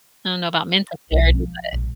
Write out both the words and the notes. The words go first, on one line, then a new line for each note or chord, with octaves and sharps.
I don't know about mental clarity, but
B1
F3
A#1